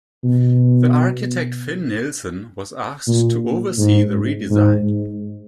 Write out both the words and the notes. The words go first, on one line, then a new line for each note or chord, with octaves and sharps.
The architect Finn Nilsson was asked to oversee the redesign.
B2
A#2
G#2
G#2